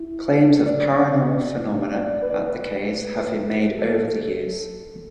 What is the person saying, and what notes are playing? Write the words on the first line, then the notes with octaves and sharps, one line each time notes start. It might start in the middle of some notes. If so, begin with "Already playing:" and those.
Claims of paranormal phenomena at the caves have been made over the years.
Already playing: E4
D5
D5
D5
B4
D5
B4
B4
A4